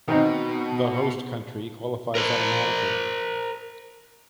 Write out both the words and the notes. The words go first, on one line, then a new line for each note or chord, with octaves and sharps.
The host country qualifies automatically.
B2 D#3 C4 D#4
A#4 C5